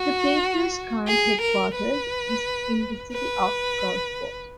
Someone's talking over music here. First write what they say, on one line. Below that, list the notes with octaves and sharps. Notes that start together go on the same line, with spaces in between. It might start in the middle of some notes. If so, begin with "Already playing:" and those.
The paper's current headquarters is in the city of Gulfport.
Already playing: F#4
G#4
A#4
B4
B4